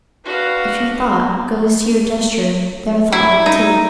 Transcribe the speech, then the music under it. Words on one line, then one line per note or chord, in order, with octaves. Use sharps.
If your thought goes to your gesture, their thought will too.
D4 F#4 B4 F5
E4
D#4